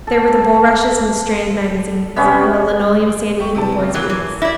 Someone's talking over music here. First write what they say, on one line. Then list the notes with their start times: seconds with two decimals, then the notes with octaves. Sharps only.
There were the bulrushes and the Strand magazines; and the linoleum sandy from the boys' boots.
0.07 A4
2.16 C3 G3 B3 C#4
3.38 A3 G4 C#6
3.55 C3 E3 A5
3.79 C#3
3.94 E3 F#3 A#3
4.10 E3
4.42 E4 D5 A#6